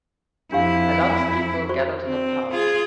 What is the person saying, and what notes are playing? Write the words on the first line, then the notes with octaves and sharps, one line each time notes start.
A lot of people gathered in a park.
F2 D4 E4 G4 F5
G#5
F#4 C5 C#6
C4
F4 G#4